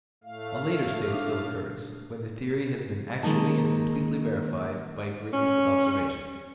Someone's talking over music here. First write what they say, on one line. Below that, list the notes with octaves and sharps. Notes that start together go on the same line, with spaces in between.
A later stage still occurs when the theory has been actually and completely verified by agreement with observation.
A2 A3 F5
A#2 D4 D#4
D#3 G#3 A#3 D#4 A5
C#4